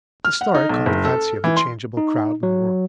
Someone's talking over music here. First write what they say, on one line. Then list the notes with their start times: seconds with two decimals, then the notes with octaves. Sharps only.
The story caught the fancy of the changeable crowd in the room.
0.25 F6
0.41 F#5
0.55 D#4
0.69 B1
0.86 F#1
1.05 A4
1.44 E3
1.57 C6
1.97 D#4
2.43 F#3